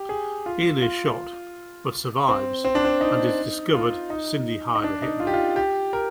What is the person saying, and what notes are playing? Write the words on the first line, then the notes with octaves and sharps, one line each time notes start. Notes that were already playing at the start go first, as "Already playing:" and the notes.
Ian is shot, but survives and is discovered Cindy hired a hitman.
Already playing: G4
G#4
F4
F4
C4
C4
D4
C4
D#4
F4
D#4
D#4
D4
D#4
F4
G4
F4
G4
A#4